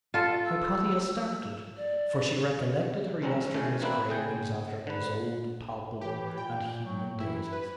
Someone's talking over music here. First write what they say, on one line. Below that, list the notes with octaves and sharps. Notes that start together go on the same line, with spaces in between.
Hypatia started, for she recollected her yesterday's cravings after those old, palpable, and human deities.
F4 A4
E6
D5
C#2 D3 C4 C#4 A#5
A2 C#3 A3 C#4 D4
E3 A#3 C4 D4 E4 B4
C#3 G#4 G5
D3 B4
E3 G4
E3
A#2 G5
F#3
E3 E4
B4